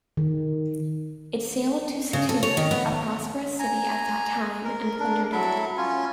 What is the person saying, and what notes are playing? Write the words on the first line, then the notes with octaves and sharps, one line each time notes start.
It sailed to Sigtuna, a prosperous city at that time, and plundered it.
D#3
C#3
A4
C#5
D#3
B3
G#5 A#5
A#4
D4 A#4
F#3 E4 A4 E5
C#4 F4 G#5